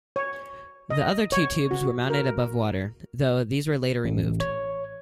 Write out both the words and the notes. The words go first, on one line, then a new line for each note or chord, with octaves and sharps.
The other two tubes were mounted above water, though these were later removed.
C#5
D#5
C#5
F#4
A#4
A1
C#5